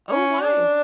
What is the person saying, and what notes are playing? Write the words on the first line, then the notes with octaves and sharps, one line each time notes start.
Oh, why?
C#4
D4